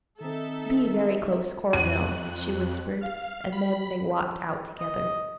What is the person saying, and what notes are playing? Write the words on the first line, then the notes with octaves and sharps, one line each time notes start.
"Be very close, Coronel," she whispered, and then they walked out together.
D#3 C4 D#4 A4 E5
F2 F#6 D#7
F5 F6
B5
D#5